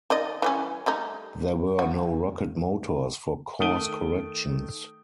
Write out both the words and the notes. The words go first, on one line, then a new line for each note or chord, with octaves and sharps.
There were no rocket motors for course corrections.
D#3 D5 D#5
E3 G3 C#4
G3 A3 D#4
F#4
D#3 A3 D#6 D7 D#7 G7